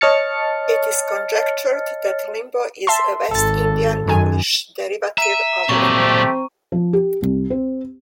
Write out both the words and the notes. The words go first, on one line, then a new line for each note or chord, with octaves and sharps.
It is conjectured that limbo is a West Indian English derivative of 'limber'.
C#5 D#5 A5 F6 A6 C#7
E5 A5 C6
G#1 A4 A6
F#2 D#3 G#5
E5 A#5 D#7
A#2 F#3 A3 C4 G4 C#6
F3
G4
C2
C4